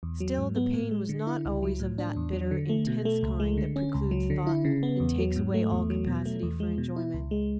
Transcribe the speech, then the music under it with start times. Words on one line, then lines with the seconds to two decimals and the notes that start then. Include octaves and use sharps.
Still the pain was not always of that bitter, intense kind that precludes thought and takes away all capacity for enjoyment.
0.03 E2
0.20 F#3
0.38 G#2
0.56 B3
0.74 A2
0.91 G#3
1.09 D3
1.27 E4
1.45 C#2
1.63 F#3
1.80 A2
1.98 D4
2.16 E2
2.33 F#3
2.51 D3
2.69 A3
2.87 B2
3.05 A3
3.23 C#2
3.40 G#3
3.58 D3
3.76 C#4
3.94 C#2
4.11 F#3
4.30 D3
4.47 E4
4.65 C#3
4.83 B3
5.00 E2
5.18 F#3
5.36 G#2
5.54 A3
5.72 E2
5.90 F#3
6.07 B2
6.26 A3
6.43 E2
6.60 G#3
6.78 B2
6.96 E4
7.14 C#2
7.31 G#3